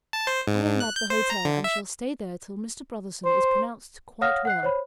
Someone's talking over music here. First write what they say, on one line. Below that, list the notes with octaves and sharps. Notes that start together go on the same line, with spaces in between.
I am at the hotel and shall stay there till Mr. Brotherson is pronounced quite well.
A5
C5
G#2
G#2
F#6
G6
C5
A#5
D3
E5
C5
C#5 F5 F#5 D#6 F6 A#6
F#5 F#6 C7
C5 C#5 B5